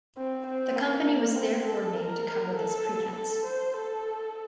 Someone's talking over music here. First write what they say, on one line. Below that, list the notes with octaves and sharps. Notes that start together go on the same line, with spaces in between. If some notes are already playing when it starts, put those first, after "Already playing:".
The company was therefore named to cover this pretence.
C4
C4
A#3
A#3
C4
A4
A#4
A4
A4
C5
A4